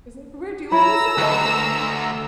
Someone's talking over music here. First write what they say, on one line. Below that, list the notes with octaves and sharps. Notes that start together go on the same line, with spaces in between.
he was like "We're doing this at home."
E4 C#5 A#5 B5 E6
D2 B4 D#5